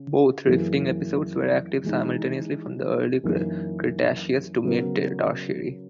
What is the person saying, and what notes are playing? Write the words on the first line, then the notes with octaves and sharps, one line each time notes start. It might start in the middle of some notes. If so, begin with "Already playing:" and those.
Both rifting episodes were active simultaneously from the Early Cretaceous to mid Tertiary.
Already playing: C#3
F#2 E3 A#3 E4 G#4
E3 G#3 D#4
F#2 E3 A#3 D#4
C#3 F#3 B3 F#4 A#4